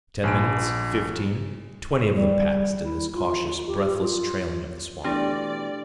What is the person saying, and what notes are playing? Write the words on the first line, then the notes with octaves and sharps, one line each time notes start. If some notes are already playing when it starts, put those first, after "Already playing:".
Ten minutes, fifteen--twenty of them passed in this cautious, breathless trailing of the swamp.
A#1 G#5 D7
G3
E4
F4
G4
F4
B2 E3 A3 D4 G4 D5